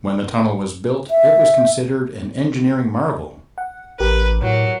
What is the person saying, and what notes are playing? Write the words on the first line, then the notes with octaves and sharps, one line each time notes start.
When the tunnel was built, it was considered an engineering marvel.
E5
F#5
A1 G4 A#4 B4
A2 F#3